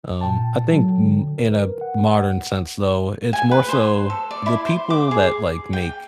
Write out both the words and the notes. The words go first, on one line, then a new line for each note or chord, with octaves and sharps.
Um, I think m in a modern sense though, it's more so the people that, like, make
A#2 G5 A5
F#3 A4
D3
A#4 B4
F#5
G#5
B4
C5
A4
D5
E4
C5
D6
G#4
G5